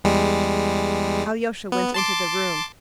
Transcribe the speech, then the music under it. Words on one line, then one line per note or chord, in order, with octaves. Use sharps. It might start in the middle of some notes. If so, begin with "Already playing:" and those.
Alyosha went into the room.
E2 G3 G#3
B3
A5 C6 D6